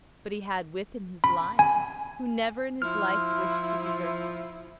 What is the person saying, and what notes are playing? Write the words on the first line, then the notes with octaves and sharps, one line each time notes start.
But he had with him his lion, who never in his life wished to desert him.
B5
G#5
F3 E4 C6 F6